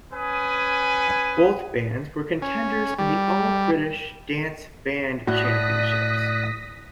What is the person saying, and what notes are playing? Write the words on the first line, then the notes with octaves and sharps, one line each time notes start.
Both bands were contenders in the All British Dance Band Championships.
C#4 B4 G#5 D#6
C#4
G3
A2 F#4 D5 D#6 F#6 A#6 B6